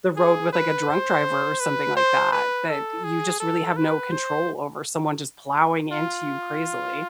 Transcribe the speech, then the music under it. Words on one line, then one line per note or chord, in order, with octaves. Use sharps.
the road with, like, a drunk driver or something like that, that you just really have no control over someone just plowing into you crazily.
G#4
B4
C5
B4
C5
B4
A4
G#4
A4
B4
C5
F4